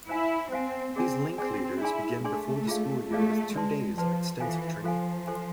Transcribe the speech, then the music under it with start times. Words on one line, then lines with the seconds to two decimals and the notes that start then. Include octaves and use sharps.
These Link Leaders begin before the school year with two days of extensive training.
0.09 E4 C5 F5 G#5
0.52 C4 C5 F5 G#5
0.95 C4 G#4 D5 G#5
1.38 C4 G#4 D5 G#5
1.81 D4 E4 G#4 D5 G#5 C6
2.24 A3 D4 G#4 D5 G#5 C6
2.68 F4 G#4 D5 F5
3.11 A3 F4 G#4 D5 F5
3.55 G#3 B4 D5 A5 C6
3.98 F3 B4 D5 A5 C6
4.40 E3 F4 A4 C5 F5 G#5
4.84 F3 F4 A4 C5 F5 G#5
5.27 A4 C5 G#5 C6